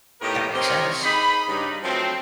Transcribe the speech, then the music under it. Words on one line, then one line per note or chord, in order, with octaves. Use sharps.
That makes sense.
A2 B3 D#4 G4 A#4
C4 G4 A#4 C#5 D#5
D#4 G#4 B5
G2 C#3 G3 D#4
F3 F#3 A3 C4